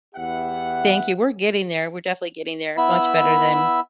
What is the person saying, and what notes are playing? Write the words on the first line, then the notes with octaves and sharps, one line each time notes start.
thank you. We're getting there, we're definitely getting there, much better than
E2 B3 E4 G4 E5 F#5
B3 E4 E5 B5 E6